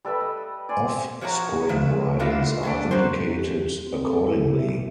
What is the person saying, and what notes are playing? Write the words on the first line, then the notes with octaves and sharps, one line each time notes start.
"Off-spring" ridings are indicated accordingly.
G3 A4 B4 E5
D#5
D5 G#5 C6
C4
F3 F#4 C#5 E5 A#5
F3 G3 B4 E5
D3 E3 B3 F4 E5 F5
A#2 A3 D4
F#3 F#4 B4 C5
G4
C4
A4
E4
E5